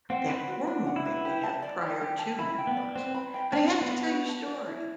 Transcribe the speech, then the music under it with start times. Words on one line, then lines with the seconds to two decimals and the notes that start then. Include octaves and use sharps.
that hormone that we have prior to menopause. But I have to tell you a story.
0.10 C4 F#5
0.29 B4
0.48 F#4
0.67 D4
0.87 F#5
0.96 E4
1.05 B4
1.25 G4
1.44 A5
1.62 D5
1.82 G4
2.01 G4
2.19 A5
2.39 E4 B5
2.58 G5
2.67 B3
2.77 D5
2.95 C4 B4
3.14 B5
3.34 G5
3.53 C4 A5
3.73 D5
3.81 B3
3.90 B4
4.10 F#4
4.29 A5
4.48 D5
4.67 E4